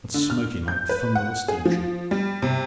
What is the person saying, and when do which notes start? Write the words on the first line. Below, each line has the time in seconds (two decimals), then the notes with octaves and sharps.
And smoking like the funnel of a steamship!
0.14 D3
0.30 F6
0.68 G6
0.89 B4
1.15 F#5
1.48 G#4
1.65 F3
2.11 G3
2.42 C3